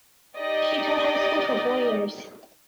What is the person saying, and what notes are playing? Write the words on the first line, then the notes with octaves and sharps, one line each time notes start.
She taught high school for four years.
D#4 G4 D5 D#5